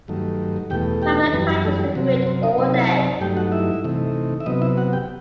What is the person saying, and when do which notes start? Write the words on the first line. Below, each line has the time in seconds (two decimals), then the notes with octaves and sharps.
Pablo touches the grid all day.
0.08 G2 D#3 F#3 A3
0.70 E2 B2 A3 G4 G5
1.02 G4 G5
1.33 F#2 E3 G3 B3 B4
1.49 F#4
1.65 A3 A4
1.80 G3 G4
1.95 C3 F#3 C4 F#4
2.11 F#4
2.27 C4 C5
2.43 D#4 D#5
2.58 C3 F#3 C4 D#4 D#5
2.74 E4 E5
3.21 G2 F#3 A3 D#4 G4 G5
3.37 F#4 F#5
3.52 E4 E5
3.84 C3 E3 A3 D#4
4.40 E5
4.46 C3 F#3 B3 D#4 D#5
4.62 E4 E5
4.77 F#4 F#5
4.93 G4 G5